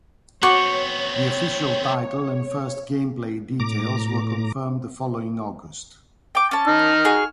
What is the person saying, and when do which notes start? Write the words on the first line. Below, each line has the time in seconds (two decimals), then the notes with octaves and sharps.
The official title and first gameplay details were confirmed the following August.
0.43 B3 C4 F#4 C#5 F#5 C#6 D6
3.60 A2 A#5 D6
6.35 G5 D6
6.51 C#4 A5
6.67 D#4 F6
7.05 F#4 G#4